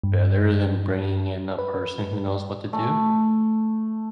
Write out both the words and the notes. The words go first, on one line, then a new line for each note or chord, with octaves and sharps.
better than bringing in a person who knows what to do?
G2
B4
A3